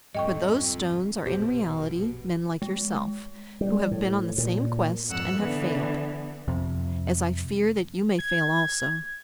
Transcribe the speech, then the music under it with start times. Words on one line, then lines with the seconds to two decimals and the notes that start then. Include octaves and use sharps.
For those stones are in reality men like yourself, who have been on the same quest, and have failed, as I fear that you may fail also.
0.15 D1 F2 G#2 G3 D#5 G5 C#6
1.26 A#1 F#2 B2 G4 C5 D5
2.62 G#3
3.61 G3
3.91 A2
4.38 A#2
5.08 F2 G#2 F#5 E6 F#6
5.38 D3 E3 B3
6.48 F2 C3
8.19 G#6